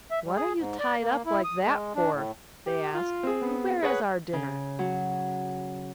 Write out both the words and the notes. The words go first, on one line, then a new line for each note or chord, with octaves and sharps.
"What are you tied up like that for?" they asked; "and where is our dinner?"
E5
G3
G#4
G#2
D5
A#3
E4
D#6
G#3
D4
A2
G4
F4
C4 G#4
B3
G#4 B4 C#5 F#5
C#3
F#3